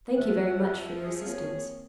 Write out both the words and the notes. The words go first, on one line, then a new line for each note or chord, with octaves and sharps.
Thank you, very much, for your assistance.
F2 F3 E5 F#5
G#4
A#3 C4 C#5 F5